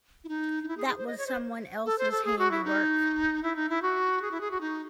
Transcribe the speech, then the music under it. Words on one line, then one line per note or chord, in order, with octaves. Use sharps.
That was someone else's handy work.
E4
D#4
D#4
E4
G#4
G#4
C5
D#5
C#5
C5
A4
C5
A4
G#4
F#4
E4
D#4
E4
D#4
E4
F#4
G#4
E4
G#4
F#4
D#4